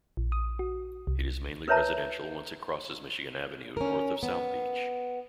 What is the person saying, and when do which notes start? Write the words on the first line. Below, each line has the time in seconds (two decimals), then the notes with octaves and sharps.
It is mainly residential once it crosses Michigan Avenue north of South Beach.
0.17 A#1
0.32 D#6
0.59 F#4
1.07 C2
1.68 A#4 B4 C#5 E5 A5 A#5
3.77 C#4 A#4
4.23 B3